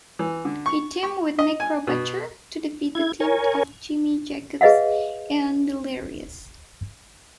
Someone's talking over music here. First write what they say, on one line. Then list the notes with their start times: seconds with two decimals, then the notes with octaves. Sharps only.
He teamed with Necro Butcher to defeat the team of Jimmy Jacobs and Delirious.
0.19 E3
0.45 D3
0.66 C#6
1.03 C#6
1.39 D#5
1.60 G#5
1.87 B2
2.95 E4 G#6
3.20 A#4 C#5 G#5
4.61 G#4 B4 D#5 F5 F#5